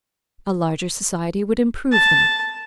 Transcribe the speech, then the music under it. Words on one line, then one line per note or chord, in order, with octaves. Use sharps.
A larger society would improve them.
A5